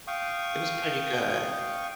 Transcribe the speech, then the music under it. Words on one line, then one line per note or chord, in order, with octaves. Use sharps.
It was pretty good.
F5 G5 C#6 D#6